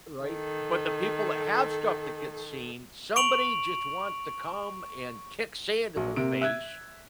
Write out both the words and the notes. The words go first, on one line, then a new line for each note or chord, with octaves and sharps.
Right, but the people that have stuff that gets seen, somebody just wants to come and kick sand in their face
D#3 A4
C#6 D7 F7 F#7
A#1 F#3
C3 A#3 D7
E5 F#6 G#6